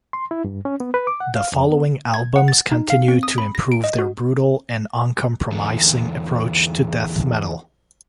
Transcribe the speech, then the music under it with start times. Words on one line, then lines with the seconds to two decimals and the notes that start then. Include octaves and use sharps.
The following albums continued to improve their brutal and uncompromising approach to death metal.
0.13 C6
0.31 E4
0.44 G2
0.65 C#4
0.80 B3
0.94 B4
1.07 D6
1.20 F#5
1.36 F5
1.52 F2
1.70 B3
2.14 G#6
2.36 F#5
2.48 A6
2.72 D#4
2.90 F5
3.08 C4
3.23 D#6
3.38 B5
3.55 A#6
3.72 D7
3.84 D#5
3.99 F#4
5.52 E2 D3